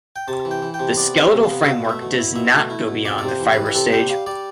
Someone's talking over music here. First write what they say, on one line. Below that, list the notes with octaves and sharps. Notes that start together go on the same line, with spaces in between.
The skeletal framework does not go beyond the fibrous stage.
G5
C3 A5
E3
G5
E3
G5
C3
B3 D5
C3
E5
C3
F5
B3
B2 F5
A3 E5
B2
E4
B2 E5
A3
E4
B2
F2 D5
C3 D5
C5
E3
B4
G3
B4
C3 A4
G3 G5
G3 F5
G3 D5